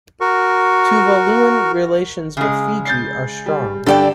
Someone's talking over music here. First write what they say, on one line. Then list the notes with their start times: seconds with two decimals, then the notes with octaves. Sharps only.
Tuvaluan relations with Fiji are strong.
0.21 F#4 A#4 C#6
2.37 C#3 G#3
2.85 G6 A6 C7
3.46 G3
3.86 G2 D3 G4 A4 D5 G5